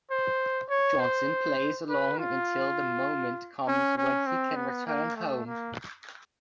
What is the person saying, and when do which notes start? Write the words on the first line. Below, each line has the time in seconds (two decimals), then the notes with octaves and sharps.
Johnston plays along until the moment comes when he can return home.
0.11 C5
0.70 C#5
1.00 C5
1.89 B4
2.19 F4
3.68 C#4
3.97 C#4
4.27 C4
4.56 B3
4.87 A#3
5.16 A3
5.46 A#3